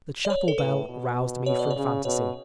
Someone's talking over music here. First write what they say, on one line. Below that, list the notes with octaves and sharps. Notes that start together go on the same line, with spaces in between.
The chapel-bell roused me from phantasy.
D5
C#5
A4
A2 B4
B2
B2 C#5
D5
C#5
C#3
B2 C#5